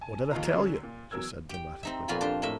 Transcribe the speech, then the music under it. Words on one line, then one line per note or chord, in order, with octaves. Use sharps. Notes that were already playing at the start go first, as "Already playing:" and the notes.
"What did I tell you?" she said dramatically.
G#5 A5
D#2 F3 D#4 F4 F5 A#5
D3 F#3 G#3 C#4 D4
A#2
E2 F#3 A#4 E6 G#6
G4 G5
C4 D#4 E5
F2 A#2 B3 F4 G#5 B5
D4 G4 C5
A2 A#3 D#5 E5